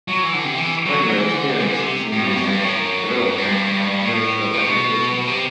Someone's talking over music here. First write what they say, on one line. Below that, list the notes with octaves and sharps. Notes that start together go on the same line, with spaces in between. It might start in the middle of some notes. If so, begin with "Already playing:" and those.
His primary experience is in research, development, and commercial applications.
F#3
E3
D3
C3
E3
F#3
F#3
E3
D3
C3
E3
D3
C3
A2
G2
F#2
G2
A2
F#2
G2
A2
C3
B2
C3